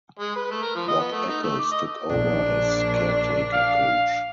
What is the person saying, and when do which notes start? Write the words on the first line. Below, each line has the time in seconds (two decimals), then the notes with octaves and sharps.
Bob Eccles took over as caretaker coach.
0.19 G#3
0.36 B4
0.51 A3
0.62 A#4
0.76 F3
0.88 D#5
0.99 B3
1.13 A3
1.29 D#4
1.43 A3
1.59 D6
1.72 D#5
2.10 A#1 D4
3.53 F5